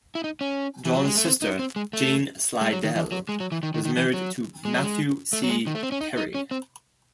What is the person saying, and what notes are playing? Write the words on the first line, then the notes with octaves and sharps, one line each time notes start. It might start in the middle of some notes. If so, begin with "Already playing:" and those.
John's sister, Jane Slidell, was married to Matthew C. Perry.
E4
D#4
C#4
E3
F#3
G#3
A3
C4
D#4
C4
G#3
A3
G#3
F#3
D#3
E3
F#3
G#3
F#3
E3
D#3
D#3
D#3
E3
F#3
G#3
F#3
G#3
A3
F#3
G#3
D#3
A3
C4
C#4
D#4
D#4
C#4
C4